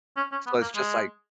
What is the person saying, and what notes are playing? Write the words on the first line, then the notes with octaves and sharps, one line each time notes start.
So, it's just, like
C#4
C#4
B3
A#3
G#3